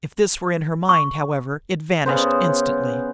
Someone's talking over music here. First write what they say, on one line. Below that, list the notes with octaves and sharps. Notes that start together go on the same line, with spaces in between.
If this were in her mind, however, it vanished instantly.
C#6
C#3 B3 C5